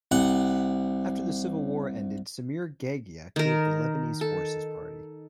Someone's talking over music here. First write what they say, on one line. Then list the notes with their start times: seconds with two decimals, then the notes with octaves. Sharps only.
After the civil war ended, Samir Geagea created the Lebanese Forces Party.
0.11 C2 F#5
3.36 D#3 A#4
4.21 A4